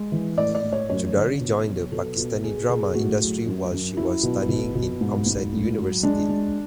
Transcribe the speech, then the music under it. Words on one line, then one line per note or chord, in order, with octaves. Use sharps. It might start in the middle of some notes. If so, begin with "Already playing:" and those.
Chaudhary joined the Pakistani Drama industry while she was studying in Comsat University.
Already playing: G#3
E3
A2 D5
D5
A2
C#5
F#2 C#5
D3
B2
F#3
B2 A4
B2
B2 G#4
B2 G#4
A2 F#4
F#3
F#2
F#2
F#3 E4
B2
B2
B2
G#2
G#2
A2
F#3
G#3 D4
G#3